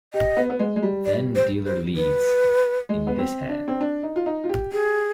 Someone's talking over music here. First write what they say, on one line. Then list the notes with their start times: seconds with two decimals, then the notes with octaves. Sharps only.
Then dealer leads in this hand.
0.14 G4 D#5
0.37 B3
0.50 B3
0.59 G#3
0.76 G#3
0.83 G3
1.06 D5
1.36 C5
1.67 C5
1.97 B4
2.89 G#3
3.07 B3
3.19 C4
3.49 D4
3.68 C4
3.81 D4
4.03 D#4
4.16 F4
4.26 D#4
4.44 F4
4.49 G4
4.72 G4 G#4